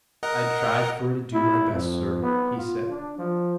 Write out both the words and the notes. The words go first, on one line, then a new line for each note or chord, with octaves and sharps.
"I tried fer to do my best, sir," he said.
A#4 D#5 F#5
E4
F2
B3
F4
D4
F3